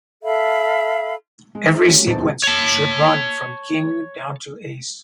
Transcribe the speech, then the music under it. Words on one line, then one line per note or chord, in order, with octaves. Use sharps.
Every sequence should run from King down to Ace.
A4 E5 F5 B5
G#3
D#4 G#4 C5 E5
F#3 A3 C#4 D4 G4
D#1 E2 C4 D#4 A5 A6
C3 D#3 F3 F#3 G#3 D#4
C#5 A5